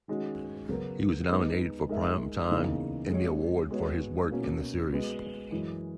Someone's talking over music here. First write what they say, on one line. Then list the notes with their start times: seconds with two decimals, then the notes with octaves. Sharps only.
He was nominated for Primetime Emmy Award for his work in the series.
0.08 D#3 G#3 C#4 F#4
0.69 C#3 F#3 B3 F#4 A#4
1.29 G#3 B3 D#4
1.89 G#3 D#4 A#4 E5
2.50 E2 C#3 E3 A#3 D#4
3.10 G#3 C#4 F#4 C#5
3.71 G#3 B3 F#4 C#5
4.30 B2 A#3 C#4 F#4
4.91 G#3 B3 F#4
5.51 F#2 E3 G#3